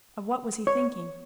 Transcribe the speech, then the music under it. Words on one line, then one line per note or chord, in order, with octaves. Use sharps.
Of what was he thinking?
C#5